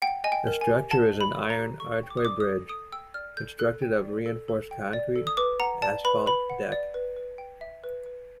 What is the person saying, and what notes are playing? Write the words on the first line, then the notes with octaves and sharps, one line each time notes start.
The structure is an iron, archway bridge, constructed of reinforced concrete, asphalt deck.
F#5 G5
D#5 G#5
G5
A#4
G#5
G4
F#5 A5
D#5
B5
A#4
A#5
G4
A4 C#6
G5
D6
D#6
D5 D6
D#6
A4
A4 D#6
G5 E6
D5 F6
A4 G6
A4 F#6
G5
D5
A4
A4
G5
D5
A4
D#6
B4 D6
F#5 A#5
D5 A5
B4 B5
B4 B5
F#5
D5
B4
B4
G5
E5
B4
B4